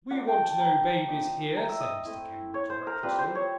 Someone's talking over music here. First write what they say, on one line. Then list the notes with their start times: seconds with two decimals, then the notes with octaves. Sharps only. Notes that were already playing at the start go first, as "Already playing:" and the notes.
We want no babies here,' said Mr Kenwigs recklessly.
0.10 A#3 D4 F4 F#5
0.27 G5
0.43 A5
0.59 A#5
1.08 F3 A#3 D#4
1.57 A#5
1.69 E5
1.80 D#5
2.05 A3 C4 E4
2.54 C#5
2.70 C5
2.87 A#4
3.03 G3 C4 F4 B4
3.18 C5
3.35 C#5